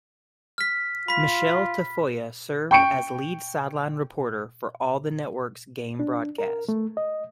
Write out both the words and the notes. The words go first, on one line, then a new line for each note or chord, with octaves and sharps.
Michele Tafoya served as lead sideline reporter for all of the network's game broadcasts.
F6 B6
F4 B5 B6
G5 C#6 C#7 D7
D4
A#4
A3
D#5